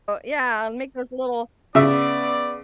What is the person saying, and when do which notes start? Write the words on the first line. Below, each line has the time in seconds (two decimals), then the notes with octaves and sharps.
Yeah, and make those little
1.75 C#3 B3 D5 E5